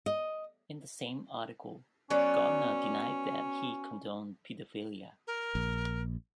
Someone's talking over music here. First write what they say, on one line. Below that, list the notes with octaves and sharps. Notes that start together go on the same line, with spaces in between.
In the same article, Gardner denied that he condoned pedophilia.
D#5
F#3 B3 C#4 D5
A#4
A#1